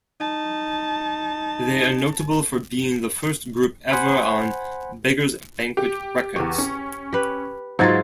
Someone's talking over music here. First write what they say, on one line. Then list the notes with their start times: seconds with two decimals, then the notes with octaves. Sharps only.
They are notable for being the first group ever on Beggars Banquet Records.
0.21 D#4 A5
3.91 C5 F#5 G#5 B5
5.77 G4
6.36 E2 G4 C#6
6.58 C#4
7.13 G4 B4
7.79 G#2 F#3 D#4 F4 G#6 A6